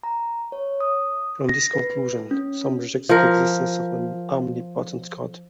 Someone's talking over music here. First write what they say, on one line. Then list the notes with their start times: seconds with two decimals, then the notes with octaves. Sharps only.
From this conclusion, some reject the existence of an omnipotent God.
0.03 A#5
0.52 C#5
0.80 D#6
1.49 A#6
1.73 B4
2.31 C#4
3.09 F3 A#4